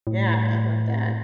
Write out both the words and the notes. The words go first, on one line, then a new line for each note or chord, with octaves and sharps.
Yeah, I love that.
A2